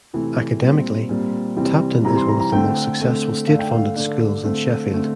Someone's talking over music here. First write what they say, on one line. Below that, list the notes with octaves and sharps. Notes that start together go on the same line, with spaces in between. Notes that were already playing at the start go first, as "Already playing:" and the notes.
Academically, Tapton is one of the most successful state-funded schools in Sheffield.
C3 E3 A3 C4
A#2 G3 C4
A#2 G3 C4
C3 E3 G3 C4
C3 E3 G3 C4 A#5
C6
A#5
A#5
D3 A3 C4 G5
D3 A3 C4
D3 A3 D4 F5
G5
F5
D3 A3 D4
D3 A3 C4
D3 A3 C4